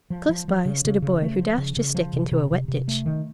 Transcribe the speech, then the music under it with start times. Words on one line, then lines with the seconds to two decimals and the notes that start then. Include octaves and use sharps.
Close by stood a boy who dashed his stick into a wet ditch.
0.10 F3
0.29 F3
0.48 F3
0.65 C#3
0.85 C#3
1.02 C#3
1.22 A3
1.39 F3
1.58 C#3
1.77 C#3
1.95 F3
2.13 C3
2.32 C3
2.51 C3
2.68 C3
2.88 A3
3.06 D#3